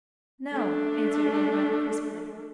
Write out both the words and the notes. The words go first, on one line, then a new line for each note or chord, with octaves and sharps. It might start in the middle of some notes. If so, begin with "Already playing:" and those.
"No," answered Anne, rather crisply.
A3 D4